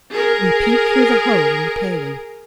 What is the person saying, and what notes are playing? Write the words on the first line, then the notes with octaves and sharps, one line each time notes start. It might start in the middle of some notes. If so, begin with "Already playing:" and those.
We peeped through the hole in the paling.
G#4 A#4